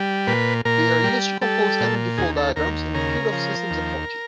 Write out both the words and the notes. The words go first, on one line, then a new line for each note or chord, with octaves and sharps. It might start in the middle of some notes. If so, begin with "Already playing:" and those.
They are used to compose energy flow diagrams in the field of systems ecology.
Already playing: G3
A#2 B4
A#2 A#4
G3
G3 A4
A#2
D#2 G#4
A4
D#2 A#4
C#3 A#4
F3
D#2